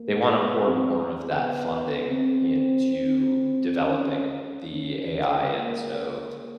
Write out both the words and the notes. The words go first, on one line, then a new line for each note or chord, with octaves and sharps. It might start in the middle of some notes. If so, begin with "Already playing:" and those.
they wanna pour more of that funding into developing the AI and so
Already playing: A#3
B3
C4
B3
C4
C4
C#4
C#4
A#3